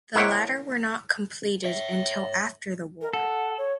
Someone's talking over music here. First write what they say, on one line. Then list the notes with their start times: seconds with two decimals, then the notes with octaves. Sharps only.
The latter were not completed until after the war.
0.15 A#3 E4 C5 C#5 F#5 G5
1.64 C#5 E5
3.01 A#4
3.13 A4 F#5
3.58 C#5